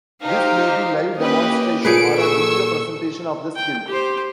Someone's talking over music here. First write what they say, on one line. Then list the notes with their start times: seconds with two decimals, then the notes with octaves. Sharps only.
This may be live demonstration, or a video presentation of the skill.
0.23 D#4 G4 C5 F5
1.18 A#3 C#4 G4 B4 D#5
1.85 A#2 G#4 A4 B4 C#7 D7
2.19 C#6 E6
3.56 G5
3.87 G4 C5